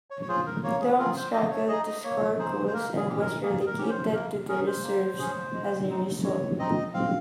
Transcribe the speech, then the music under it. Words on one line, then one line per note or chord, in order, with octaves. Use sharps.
Dong struggled to score goals and was relegated to the reserves as a result.
C#5
C#5
F4 G#4 C5
A#4
A#3 C#5
G#4
F4 G#4 A#4
C5
A#3 D#5
C#5
D#4 G#4 D#5
D#5
A#3 C#5
D#4 G#4 C5
C5
A#3 A#4
G#4
C#4 G4
A#4
A#3 G#4
A#4
C#4 G4
C5
A#3 A#4
C#4 G#4 A#4
C5
A#3
C#4 G#4
G#3
C4 D#4
G#3 C#5
C4 D#4 D#5
C4 F5